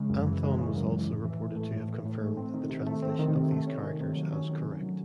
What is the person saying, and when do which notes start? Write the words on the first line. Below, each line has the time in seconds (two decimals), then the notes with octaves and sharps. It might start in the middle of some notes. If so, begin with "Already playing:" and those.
Anthon was also reported to have confirmed the translation of these characters as correct.
Already playing: C#3 G#3
0.10 F#2
0.26 E3
0.43 G#3
0.59 C#3
0.75 F#2
0.91 E3
1.07 A2
1.24 E3
1.39 A2
1.56 A3
1.73 A2
1.88 E3
2.05 A2
2.21 A3
2.37 C4
2.54 D#3
2.69 C3
2.87 A3
3.02 C4
3.19 D#3
3.35 C3
3.52 A3
3.67 C#4
3.84 D#3
4.00 C3
4.16 F#3
4.32 C#4
4.49 D#3
4.65 C3
4.81 F#3